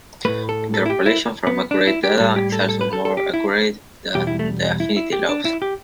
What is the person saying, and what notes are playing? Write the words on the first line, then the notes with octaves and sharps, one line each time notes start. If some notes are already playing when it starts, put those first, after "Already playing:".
Interpolation from accurate data is also more accurate than the affinity laws.
A2 A3 B4
A4
A4
E4
G4
E4
B3
D4
E4
G4
A2 G3 A4
G4
A4
A4
B4
A4
A4
G4
E4
E2 B2 G3 G4
E4
A3
E4
E4
G4
D4
E4
G4